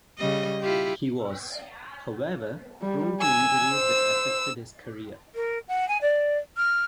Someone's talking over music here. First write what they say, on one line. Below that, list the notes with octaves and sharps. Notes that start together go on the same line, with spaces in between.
He was, however, prone to injuries that affected his career.
C#3 G3 D#5
E4 F4 G4
G3
G#5 E6
C5
A#4
F#5
G#5
D5
F6